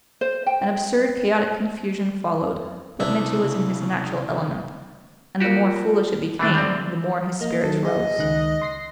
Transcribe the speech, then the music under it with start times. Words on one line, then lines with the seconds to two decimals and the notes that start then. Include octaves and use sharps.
An absurd chaotic confusion followed, but Mitya was in his natural element, and the more foolish it became, the more his spirits rose.
0.21 C5
0.46 G5
3.00 C2 C#3 D4 E5
5.40 F3 A#3 F#4 G4
6.39 D#3 E3 A3 B3 D4 E4
6.54 D3 G3 C4 D6 G6
7.41 A#3 D#5
7.63 D#3 F#3 A4
7.85 G#4 D#5 F#5
8.19 C#2 D#3 F#6
8.62 C6 A#6 C7